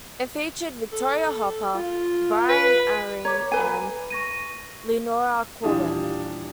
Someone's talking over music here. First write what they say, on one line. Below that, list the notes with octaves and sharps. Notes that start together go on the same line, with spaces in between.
It featured Victoria Hopper, Brian Aherne, and Leonora Corbett.
A4
F4
B4
C#5 A#5 D6
B4 G#5
C#6 A#6 D#7
D#1 E3 D4 F4 G4 D#6